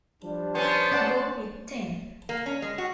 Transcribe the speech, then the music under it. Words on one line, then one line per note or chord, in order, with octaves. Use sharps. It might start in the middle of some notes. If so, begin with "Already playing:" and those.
Go with ten!
F3 G3 D4
B3 C#4 C5
C#4 D5 F#5 A5
A#3
C#4
G#3
F#4